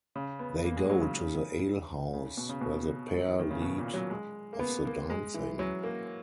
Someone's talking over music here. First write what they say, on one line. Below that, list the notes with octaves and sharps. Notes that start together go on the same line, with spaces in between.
They go to the alehouse, where the pair lead of the dancing.
C#3
B3
A#3
G#3
F#3
C#3
C#3
B2
C#3
B2
F#3
E3
D#3
C#3
B2
A#2
F#3
G#3
A#3
B3
A#3
G#3
E3
F#3
A#3